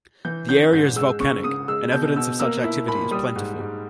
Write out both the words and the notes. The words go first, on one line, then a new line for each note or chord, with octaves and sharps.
The area is volcanic, and evidence of such activity is plentiful.
E3 G6
C#4 G6
G#2 G6
G#3 E6
C#3 C#6
C#3 D#6
G#3 E6
B2 G6
B2 E6
A#3 E6
E4
A#2 B5
G3 D#6
G#2
G#2